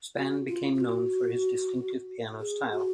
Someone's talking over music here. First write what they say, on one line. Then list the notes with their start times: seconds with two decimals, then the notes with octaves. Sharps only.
Spann became known for his distinctive piano style.
0.16 F#4
0.48 F4
0.75 F4
0.80 F#4
2.40 G#4
2.72 F#4